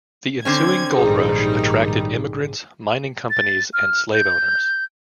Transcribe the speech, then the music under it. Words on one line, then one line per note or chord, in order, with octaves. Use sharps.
The ensuing gold rush attracted immigrants, mining companies and slave owners.
D3 C4 C#4 G#6
A#1 G#2 D#3 G3 D#4 G#4
A6
F6
G6